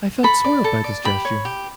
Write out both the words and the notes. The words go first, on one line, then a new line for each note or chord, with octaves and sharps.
I felt soiled by this gesture.
A4 B5
D5
A4
D5
G4 B5
C#5
G4